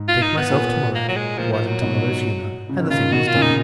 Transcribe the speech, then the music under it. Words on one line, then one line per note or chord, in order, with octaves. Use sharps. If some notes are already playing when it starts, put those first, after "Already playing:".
Take myself to-morrow while in to-morrow's humour, and the thing was done.
Already playing: G#2
F4
D#4
B3
A#2
A#3
F#3
G#3
A#2 F3
F3
F#3
G#2 B2
C#3
D#3
A#2 C#3 F4
B2 D#3 F#4
F4
A#2 C#3
D#4